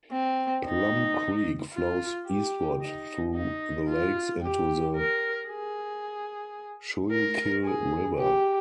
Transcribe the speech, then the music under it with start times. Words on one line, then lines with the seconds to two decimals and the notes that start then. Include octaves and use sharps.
Plum Creek flows eastward through the lakes into the Schuylkill River.
0.12 C4
0.66 D#4
1.73 F4
2.27 G4
2.81 D#4
3.35 D#4
3.88 F4
4.42 G4
4.96 A#4
5.50 G#4
7.11 A#4
7.64 G#4
8.19 G4